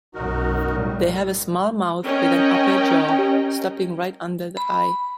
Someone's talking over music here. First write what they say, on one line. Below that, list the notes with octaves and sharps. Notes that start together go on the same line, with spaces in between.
They have a small mouth with an upper jaw stopping right under the eye.
B1 F#2 D#4 F#4 A#4
A2 G3
C#4 A#4 D#5 G5
B5